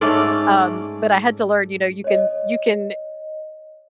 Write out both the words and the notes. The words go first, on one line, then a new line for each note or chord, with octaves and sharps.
um, but I had to learn, you know, you can you can
G#2 A3 C#4 D5
C#5 D#5